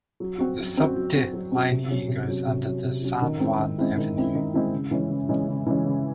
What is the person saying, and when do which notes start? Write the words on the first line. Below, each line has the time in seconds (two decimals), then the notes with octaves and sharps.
The Subte Line E goes under the San Juan Avenue.
0.20 F#3
0.38 C4 F#4
0.58 F#3
0.77 C4 F#4
0.95 F#3
1.14 C4 F#4
1.33 F#3
1.52 C4 F#4
1.71 C3
1.90 F#3 C#4
2.08 C3
2.28 F#3 C#4
2.47 C3
2.65 F#3 C#4
2.84 C3
3.02 F#3 C#4
3.22 D#3
3.40 G#3 C4 E4
3.59 D#3
3.78 G#3 C4 E4
3.97 D#3
4.15 G#3 C4 E4
4.35 D#3
4.54 G#3 C4 E4
4.72 C#3
4.91 E3 G#3 C#4
5.10 C#3
5.29 E3 G#3 C#4
5.47 C#3
5.66 E3 G#3 C#4
5.85 C#3